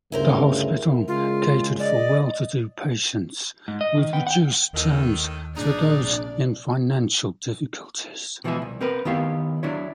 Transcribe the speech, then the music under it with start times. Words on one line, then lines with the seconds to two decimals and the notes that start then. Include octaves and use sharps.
The hospital catered for well-to-do patients, with reduced terms for those in financial difficulties.
0.12 D2 G2 C#3 E4 A#4 C5
1.08 C#3 G#3 F4
1.80 D5 D#5
3.68 G#2
3.81 D#5
3.98 D#3
4.13 B3 G5
4.27 F#5 G5
4.73 D#2 A2 D#3
5.56 A#1 D4 D#4 G#4 D5
6.01 C3
8.44 B2 E3 F3 G#3 E4 G#4
8.62 C2
8.81 C4 A#4 B4
9.05 D#3 B3 E4 G4 C#5 F5
9.63 F#3 D4 E4 C#5